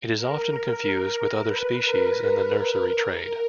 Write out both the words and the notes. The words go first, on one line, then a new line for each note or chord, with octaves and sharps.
It is often confused with other species in the nursery trade.
A#4
B4
A#4
B4
A#4
A#4
A#4